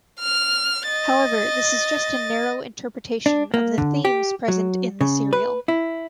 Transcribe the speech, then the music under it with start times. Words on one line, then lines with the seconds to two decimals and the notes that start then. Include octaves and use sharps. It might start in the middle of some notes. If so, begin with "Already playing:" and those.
However, this is just a narrow interpretation of the themes present in the serial.
0.20 F6
0.88 D#5 A6
3.26 D4
3.54 A#3
3.78 D3
4.05 G4
4.48 F#3
5.01 C#3
5.33 B4
5.68 E4